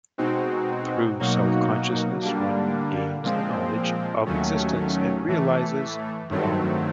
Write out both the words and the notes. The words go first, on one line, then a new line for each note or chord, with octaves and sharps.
Through Self-consciousness one gains the knowledge of existence and realizes Brahman.
B2 G#3 C4 D#4 F#4
B2 F#3 A#3 D#4 F#4
D3 G3 A#3 D4
A#2 F3 G#3 C4
D#2 D#3 F#3 A3 C#4
A2 E3 A3
G2 D#3 F#3 A3 C4